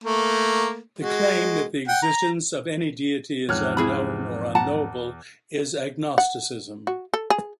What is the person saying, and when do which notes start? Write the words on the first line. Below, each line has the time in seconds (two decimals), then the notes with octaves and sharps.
The claim that the existence of any deity is unknown or unknowable is agnosticism.
0.04 A3 A#3
0.99 G#3 F#4
1.88 F#5 G5
2.02 A#5
3.49 E2 G#2 F3 C4 C#5 F6 F#6
3.77 E4 G#4 B5
4.55 F#5 A5 A#5
6.18 F#5
6.87 F#4
7.14 A4
7.30 G#4